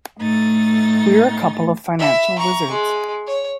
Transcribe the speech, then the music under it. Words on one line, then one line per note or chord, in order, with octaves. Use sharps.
We're a couple of financial wizards.
A2 A3 D#4 A6
E5 B5
A#5 C#6
G#3
C#5